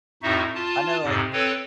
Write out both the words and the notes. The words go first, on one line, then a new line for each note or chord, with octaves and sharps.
I know, like
F2 A2 D#4 F#4 E5
F4 A5
F2 G#2 C3
C4 A4 B4 C#5